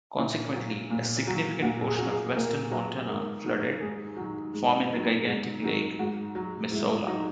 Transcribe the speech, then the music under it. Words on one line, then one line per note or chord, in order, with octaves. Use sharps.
Consequently, a significant portion of western Montana flooded, forming the gigantic Lake Missoula.
A#2 E4
F#3
A#2
F#3
A#2 F#4
G#4
F#3
G#4
A#2 A#4
F#3 B4
G#2 A#4
D#3 F#3
G#2 G#4
D#3 F#3
G#2
D#3 F#3
G#2
D#3 F#3 G#3
G#2 F#4
F#3
G#2 E4
F#3 D#4